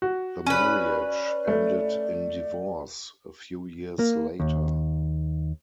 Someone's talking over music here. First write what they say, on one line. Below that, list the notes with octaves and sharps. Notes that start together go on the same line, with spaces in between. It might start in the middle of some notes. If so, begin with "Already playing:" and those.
The marriage ended in divorce a few years later.
F#4
C#4 B4 D5
A3
A#3
D#2